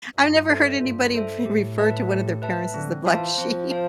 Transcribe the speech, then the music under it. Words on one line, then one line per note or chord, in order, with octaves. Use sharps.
I've never heard anybody re refer to one of their parents as the black sheep.
G2 F4
A4 C5 E5
G2 F4
A4 C5 E5
A2 G4
B4 E5 A5
G4
B4 E5 A5
D3 C4
E3 F4 C5 F5 A5
F3 C4
C5 F5 A5